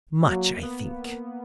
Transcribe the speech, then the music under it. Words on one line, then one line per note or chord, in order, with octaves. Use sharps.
Much, I think.
F#3 A#3
B3